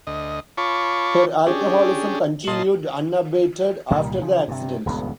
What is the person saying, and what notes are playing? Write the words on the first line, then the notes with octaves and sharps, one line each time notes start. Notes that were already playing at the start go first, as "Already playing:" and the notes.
Her alcoholism continued unabated after the accident.
D2 D#5
F4 C#5 A5 B5 C#6 D6
C#4 D4 G4 G#4
A#2 D#5 A5 C6
C2 A#2 D#3 G3
C#3 F3
G2 C3
D#1 C#2 G2 B3